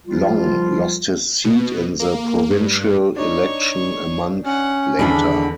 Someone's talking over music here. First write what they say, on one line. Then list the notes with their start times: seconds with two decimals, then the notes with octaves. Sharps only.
Long lost his seat in the provincial election a month later.
0.05 F3 G3 F4
1.45 B2
2.00 A#3
2.51 G2
3.16 D4 D#4 C#5 C#6
4.45 C#4 F#5
4.99 E2 D3 D#3 D4 G#4 B5